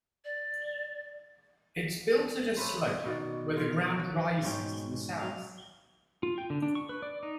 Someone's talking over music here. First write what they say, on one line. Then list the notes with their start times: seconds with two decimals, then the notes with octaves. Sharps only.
It is built at a slope, where the ground rises to the south.
0.25 D5
2.57 C#4 A4 B4 C5
3.05 B2 D#3 F#4 D5
3.57 F4
3.95 C#4 F#4
4.45 G#2 B2 C#4 G5
5.19 F#3 F5
6.23 F4
6.38 G5
6.50 D3
6.62 D4
6.75 C#6
6.89 B4
7.02 D5
7.23 D#4